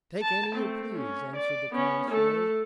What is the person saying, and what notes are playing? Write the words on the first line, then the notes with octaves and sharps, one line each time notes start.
"Take any you please," answered the concierge.
A5
A3 C4
C#4
D5
B3 C#4
A3 A4